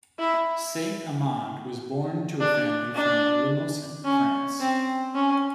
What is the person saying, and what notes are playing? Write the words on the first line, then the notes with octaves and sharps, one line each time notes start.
Saint Amand was born to a family from Limousin, France.
E4
D4
D4
C#4
C4
C#4